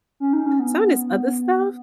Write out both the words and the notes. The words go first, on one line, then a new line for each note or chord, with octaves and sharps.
some of this other stuff
C#4
D#4
C#4
B3